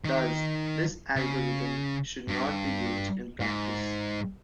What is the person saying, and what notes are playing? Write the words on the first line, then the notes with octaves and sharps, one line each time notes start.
Thus this algorithm should not be used in practice.
D#3
C#3
G2
G#2